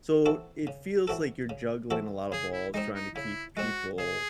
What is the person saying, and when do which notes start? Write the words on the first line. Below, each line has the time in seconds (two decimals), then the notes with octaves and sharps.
So, it feels like you're juggling a lot of balls trying to keep people,
0.26 E3 C4 F#4 A4
0.67 C#3
1.08 E3 C4 F#4 A4
1.50 C#3
1.91 E3 C4 F#4 A4
2.32 C#3 G#4
2.53 E4
2.74 G#3 C4 D#4
2.95 D#4
3.15 C#3 E4
3.57 G#3 C4 F#4
3.98 C#3 G#4